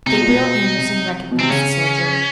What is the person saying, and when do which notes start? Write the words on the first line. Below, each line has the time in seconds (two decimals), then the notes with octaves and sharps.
Gabriel Andersen recognised the soldier.
0.06 C3 D#4
0.14 B2
0.20 A#2
0.29 B2
0.78 C3
1.31 B2
1.39 C3 C4
1.50 C#3 C#4